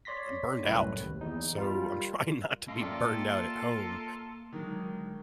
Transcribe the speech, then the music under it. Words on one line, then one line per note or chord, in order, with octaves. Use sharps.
I'm burned out. So I'm trying not to be burned out at home
C#5 D5 C6 A#6 B6
C2 F#2 A2 B4
D#2
E2 D#4
G3 F4 A#4
C#4 F4 A4 A#4 D#5 F5
A#3 D5 E5 G5
D3 D#3 F#3 G#3